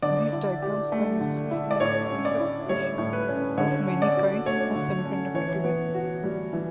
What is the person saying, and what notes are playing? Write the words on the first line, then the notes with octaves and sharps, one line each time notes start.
These diagrams are useful in explaining the operation of many kinds of semiconductor devices.
D3 D5
E4
G4
A3
D3
E4
D5
A2 C#5
C#4
D5
E4
G3 C#5
A2
B4
C#4
D3 C#5
C#4
D5
F#4
A3 C#5
D3
C#4
E3 C#5
B3
F#4
G3
E3